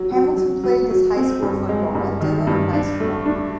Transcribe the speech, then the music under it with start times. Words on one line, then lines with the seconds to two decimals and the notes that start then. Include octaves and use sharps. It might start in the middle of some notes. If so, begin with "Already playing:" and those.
Hamilton played his high school football at Dillon High School.
Already playing: F#3
0.10 F#3
0.37 F#3
0.64 F#3
0.90 F#3
1.16 C4
1.42 G2
1.69 G#3
1.95 G2
2.21 D#3
2.47 G2
2.73 D4
3.00 A3
3.26 D4